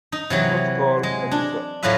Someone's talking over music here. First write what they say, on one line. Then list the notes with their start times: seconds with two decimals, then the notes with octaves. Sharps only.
It was called Medusa.
0.12 D#4
0.30 C3 E3 F#3
1.03 G#3
1.31 D4
1.83 A2 F#3 F4 B4 E5